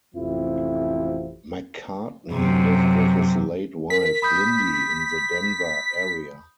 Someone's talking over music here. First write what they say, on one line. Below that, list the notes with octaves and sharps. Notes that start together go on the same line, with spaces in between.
McCartney lived with his late wife Lyndi in the Denver area.
A1 F2 C3 F3 E4
F#2 C3
A#4 B6
B5 D#6 G6